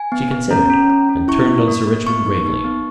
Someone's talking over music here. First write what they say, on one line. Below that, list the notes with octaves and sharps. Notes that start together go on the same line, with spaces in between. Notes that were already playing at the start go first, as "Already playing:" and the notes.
She considered and turned on Sir Richmond gravely.
Already playing: G#5
B3
B3
C#4 A#5
C#4
C#4
C#4
E4 C#6
A#3
A#3
A#3
B3 C#6
D#4
D#4
B3